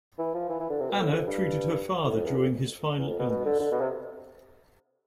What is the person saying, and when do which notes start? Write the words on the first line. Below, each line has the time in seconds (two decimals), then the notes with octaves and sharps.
Anna treated her father during his final illness.
0.18 E3
0.34 F3
0.49 E3
0.60 E3
0.70 D3
0.80 C3
0.90 B2
1.01 A2
1.11 F2
1.27 G2
2.05 A2
2.15 F2
2.26 E2
2.36 F2
2.98 E2
3.08 F2
3.19 B2
3.30 B2
3.45 D3
3.60 D3
3.71 B2
3.81 C3